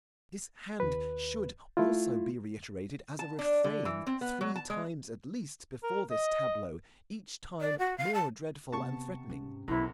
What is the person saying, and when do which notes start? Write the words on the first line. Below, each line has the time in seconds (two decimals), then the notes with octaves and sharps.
This hand should also be reiterated as a refrain, three times at least, before this tableau, each time more dreadful and threatening.
0.80 D#2 B4
1.77 A3 E4 F4
3.19 A5
3.39 D4
3.64 D3
3.85 E3
4.07 C4
4.21 B3
4.41 F#3
4.56 A5
4.70 G#3
5.83 A#4
6.11 D#5
7.60 D5
7.79 F#4
7.98 F5
8.14 A5
8.72 C3 B3 A5 C#6
9.29 G#2 C#4
9.68 B1 F#2 C3 E4